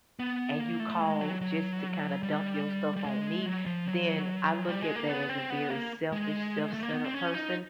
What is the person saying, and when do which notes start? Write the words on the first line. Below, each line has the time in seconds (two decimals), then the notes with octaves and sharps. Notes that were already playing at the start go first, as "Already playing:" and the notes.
and you call just to kinda dump your stuff on me, then I look at that as a very selfish, self-centered person,
0.19 B3
0.60 A#3
0.80 A3
1.01 G#3
1.21 F#3
1.41 F#3
2.23 G3
2.96 G3
3.05 G#3
3.46 F#3
3.66 F3
3.87 F#3
4.69 G3
4.82 G#3
4.96 A#3
5.09 B3
5.29 C4
5.50 B3
5.70 A#3
6.12 G#3
6.74 A3
6.83 A#3
6.93 B3
7.04 C4
7.14 C#4
7.34 D#4